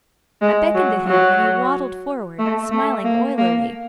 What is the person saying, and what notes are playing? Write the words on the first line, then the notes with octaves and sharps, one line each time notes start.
I beckoned to him and he waddled forward, smiling oilily.
G#3
F#3
F#3
A3
A3
A#3
A#3